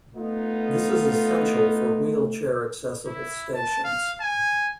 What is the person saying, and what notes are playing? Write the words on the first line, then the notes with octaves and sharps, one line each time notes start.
This is essential for wheelchair accessible stations.
A3 B3 D#4 F4
E4
A5
F5
G#5